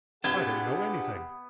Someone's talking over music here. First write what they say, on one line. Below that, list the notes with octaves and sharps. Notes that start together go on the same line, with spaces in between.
I don't know anything.
C3 B3 D4 F4 G4 G#4 F#5 G#6